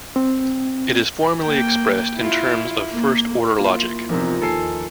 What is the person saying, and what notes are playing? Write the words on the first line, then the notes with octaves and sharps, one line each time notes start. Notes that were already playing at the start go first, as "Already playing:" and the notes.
It is formally expressed in terms of first-order logic.
C4
A#3 G5
E4 F4
A#3
A#3 E4 F4
E2 C3 F3 D#4 A#4
D#2 A4 G#5 C7